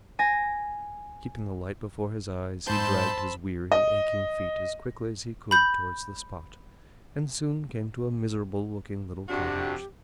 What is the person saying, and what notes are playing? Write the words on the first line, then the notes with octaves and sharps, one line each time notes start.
Keeping the light before his eyes he dragged his weary, aching feet as quickly as he could towards the spot, and soon came to a miserable-looking little cottage.
G#5 A#6
G#2 C5 A5 B5 C6 E6 G6
D#5
B5 G6
F2 C3 D4 F#4 G4